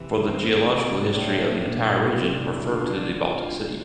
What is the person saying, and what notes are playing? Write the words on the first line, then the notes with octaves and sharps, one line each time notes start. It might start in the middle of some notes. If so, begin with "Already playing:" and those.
For the geological history of the entire region, refer to the Baltic Sea.
Already playing: C3 E3
C4
A#3
C3 A#3
A#3
C4
D4
A2 D4
D4
A#2 D4
E4
F4
C3 E4
D4
E4
D3 F4
F4
D4
D4
F4
F4